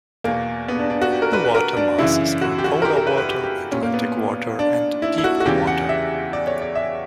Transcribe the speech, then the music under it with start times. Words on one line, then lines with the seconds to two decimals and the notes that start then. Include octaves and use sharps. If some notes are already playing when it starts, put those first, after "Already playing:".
The water masses are Polar Water, Atlantic Water, and Deep Water.
0.24 E2 B2 A#3
0.68 B3
0.79 D4
0.90 D4
1.01 F#4
1.12 G4
1.22 A#4
1.33 B4
1.44 B4
1.55 A#4
1.77 D4
1.98 F#2 C#3 E3 E4
2.41 F#4
2.58 G4
2.64 F#4
2.82 A#4
2.85 G4
2.97 A#4
3.07 B4
3.17 B4
3.29 G4
3.44 G4
3.72 A#2 C#4
3.83 A#3
3.94 B3
4.59 D4
5.02 E4
5.18 E4
5.24 F#4
5.40 F#4
5.45 E2 C#3 E3 G4
5.67 F#5
5.89 E5
6.33 D5
6.47 C#5
6.62 D5
6.75 E5